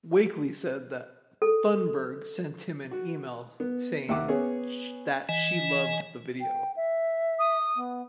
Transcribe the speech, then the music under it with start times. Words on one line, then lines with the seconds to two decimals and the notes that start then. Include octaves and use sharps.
Wakely said that Thunberg sent him an email saying that she loved the video.
1.42 A4
2.91 F#4
3.60 B3
4.09 D#2 E5 F#5 D6
4.28 B3 C#4 G#4 C#5
5.29 E3 D#5 G#5
6.41 G5
6.76 E5
7.39 D#6
7.76 B3